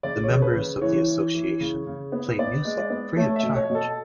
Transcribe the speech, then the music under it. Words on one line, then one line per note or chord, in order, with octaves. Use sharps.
The members of the association play music free of charge.
C#3 D5
C#5
C#3
B4
C#3
E3 C#5
E3
E3
C#3
C#3
B3
B3 D5
G#3
D5
B3
A3 C#5
E5
B2
C#5
B2
A4